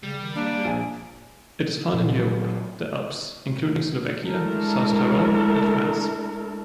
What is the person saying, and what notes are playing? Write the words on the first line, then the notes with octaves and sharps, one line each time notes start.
It is found in Europe: the Alps, including Slovakia, South Tyrol and France.
C#3 G3
D#3
A#3 D4
A#1 G#5
A#2 F#3
G#3 A3 D4 E4 A4 A#4